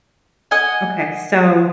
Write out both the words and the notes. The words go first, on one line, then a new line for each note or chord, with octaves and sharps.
Okay, so
D#5 F#5 G#5